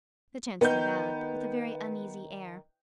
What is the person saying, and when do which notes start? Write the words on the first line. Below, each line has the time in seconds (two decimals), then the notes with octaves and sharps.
The Chancellor bowed, but with a very uneasy air.
0.61 D#3 B3 G6